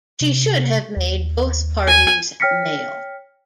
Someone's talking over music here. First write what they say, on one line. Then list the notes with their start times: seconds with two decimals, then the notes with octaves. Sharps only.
She should have made both parties male.
0.21 C3
0.97 D#2
1.87 G#5
2.40 C#5 G5 F6 A#6 B6 C#7